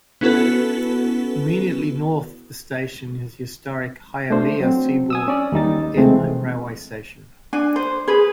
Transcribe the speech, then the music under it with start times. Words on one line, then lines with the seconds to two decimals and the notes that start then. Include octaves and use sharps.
Immediately north of the station is the historic Hialeah Seaboard Air Line Railway Station.
0.21 B3 C#4 E4 F#4 A4 B4
4.30 A3 D4 C5
4.60 F#3 C4
5.10 G#5 D#6 E6
5.28 C#4 D5
5.52 D#2 G3 D#4 A6
5.96 C3 E3 G#3 A3 C4
7.53 D4 G#5
7.76 C5
8.08 G#4 B4